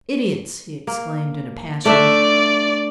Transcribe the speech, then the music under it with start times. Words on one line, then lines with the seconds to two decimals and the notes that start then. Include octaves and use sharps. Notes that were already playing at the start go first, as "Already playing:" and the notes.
'Idiots!' he exclaimed, in a passion.
0.87 A#3
1.85 A3 D4 D5 E5